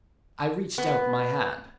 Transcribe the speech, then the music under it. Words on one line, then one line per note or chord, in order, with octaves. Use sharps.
I reached out my hand.
B3